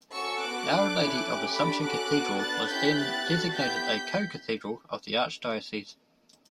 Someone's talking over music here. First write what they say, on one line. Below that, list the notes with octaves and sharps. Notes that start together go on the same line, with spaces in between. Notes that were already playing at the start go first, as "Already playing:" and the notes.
Our Lady of Assumption Cathedral was then designated a co-cathedral of the archdiocese.
C#4 F#4 A4 C#6 E6
B3 F#4 A4 D6 F#6
D4 A4
C#4 E4 A4
C#4 G4
A3 D4 G4 B5 D6
C#4 F#4 A4 D6 F#6
B3 F#4 A4
B3 D4 A4 F#6 A6
C#4 E4 G4 G6 B6
B3 E4 G4 F#6 A6
D4 F#4 A4
B3 E4 G4 G6 B6